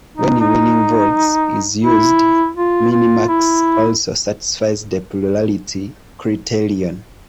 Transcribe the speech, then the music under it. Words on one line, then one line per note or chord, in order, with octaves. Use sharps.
When "winning votes" is used, Minimax also satisfies the Plurality criterion.
D#4
D#4
E4
F4
F4
E4